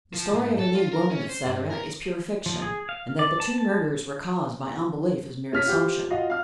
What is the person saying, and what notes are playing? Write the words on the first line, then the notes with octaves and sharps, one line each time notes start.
The story of a "nude woman," etc., is pure fiction, and that the two murders were caused by unbelief is mere assumption.
F3
G#2
A4
F4
A#4
C#4
C5
G2
A#4
F3
G#4
F5
D5
A5
A5
C#4 F6 B6
F4 G4 C5
F4 F#4 D#5 F5
F5 F6